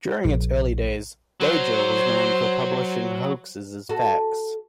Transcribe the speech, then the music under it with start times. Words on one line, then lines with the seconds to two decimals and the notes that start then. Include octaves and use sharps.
During its early days, "Veja" was known for publishing hoaxes as facts.
0.25 A#1
1.41 F#3 C5
3.89 F#4 A4